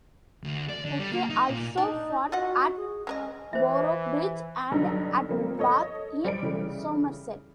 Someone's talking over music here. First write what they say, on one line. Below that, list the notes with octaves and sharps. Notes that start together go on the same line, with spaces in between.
Okey also fought at Boroughbridge and at Bath in Somerset.
D2
D5
D3
G3
A#3
D#4
A#2
D4 D#4
F4 F#4 D#5 F#5
G#4
G#3 C#4 A#4 D#5
E3 C5 E5
G2 D3 D#3 F#3 D#4
F3 G3 A#3 C4 F4
A4 C#5 D#5
G3 C5 D5 D7
C#3 E3 G3 A3